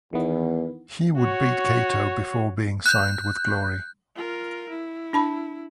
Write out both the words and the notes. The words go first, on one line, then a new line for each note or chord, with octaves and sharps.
He would beat Kaito before being signed with Glory.
E2 D#3 E3 B3
F#4 C#5
F#6 G6
F4 A#4
E4
D4 A5 B5